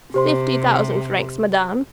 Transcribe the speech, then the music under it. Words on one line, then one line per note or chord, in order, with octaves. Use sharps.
"Fifty thousand francs, madame."
C3 G4 C5 C6